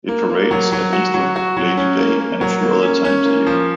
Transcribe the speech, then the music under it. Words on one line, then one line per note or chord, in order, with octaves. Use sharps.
It parades at Easter, Lady Day and a few other times a year.
A#3
A#3
F#3
F#3
F#4
F#3
F#4
F#3
C#4
A#3
A#3
F#3
A#3
C#4
C#4
A#3
F3